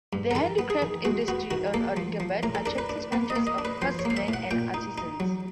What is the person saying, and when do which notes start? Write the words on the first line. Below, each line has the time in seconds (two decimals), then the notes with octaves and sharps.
The handicraft industry in Aurangabad attracted hundreds of craftsman and artisans.
0.13 G2
0.31 A#4
0.35 D#3 A4
0.59 B3
0.70 G#4
0.82 D#3
1.05 G#3 F#4
1.28 B3 F#4
1.51 D#3 F#4
1.74 A#3 A4
1.97 F3
2.20 F3
2.43 A2 A#4
2.55 A4
2.66 D4 A#4
2.78 B4
2.89 D4
3.12 A#3 B4
3.30 D#5
3.36 A#3
3.47 D#5
3.58 D4
3.65 B4
3.82 F3 C5
3.99 C#5
4.05 A#3
4.10 F5
4.17 E5
4.28 A2
4.33 F#5
4.51 A#2 G5
4.74 D#4
4.98 D#4
5.20 F#3